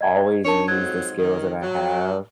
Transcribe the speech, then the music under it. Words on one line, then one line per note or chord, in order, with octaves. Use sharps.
Always use the skills that I have
D#5 G#6
D4 D#4 A#4 C#5 A5
F2 G#2 F#3 G#6
D#3
F#3